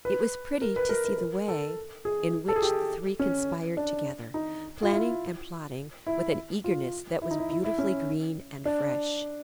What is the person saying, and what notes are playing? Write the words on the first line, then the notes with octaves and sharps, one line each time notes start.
It was pretty to see the way in which the three conspired together, planning and plotting with an eagerness that was beautifully green and fresh.
B4
A#4
B4
A#4
B4
A#4
A4
G#4
A4
G#4
G4
C#4
D4
D#4
F4
E4
E4
F4
E4
D#4
E4
E4
E4
C#4
D4